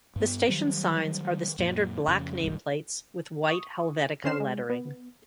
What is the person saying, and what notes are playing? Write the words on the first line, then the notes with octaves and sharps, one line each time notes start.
The station's signs are the standard black name plates with white Helvetica lettering.
G2 B3
D#3 F#3 G3
F#2 A#2
F2 C#3
F1 B1 G2
C#6 D#6
D3 C#4 C5 F6 C7 E7
G#3
B3